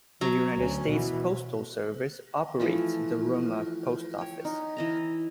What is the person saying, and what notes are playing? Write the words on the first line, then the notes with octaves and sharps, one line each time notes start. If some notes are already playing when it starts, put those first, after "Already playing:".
The United States Postal Service operates the Roma Post Office.
F#3
D2 C#4
B2 E3
E3 F3 A3
C#5 G5
D#4
E3 D#5 A#5